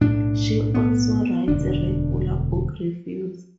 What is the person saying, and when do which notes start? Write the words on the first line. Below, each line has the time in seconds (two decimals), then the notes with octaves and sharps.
She also writes regular book reviews.
0.01 B1 A2 D4
0.74 B3
1.48 E1 D2 D3 D4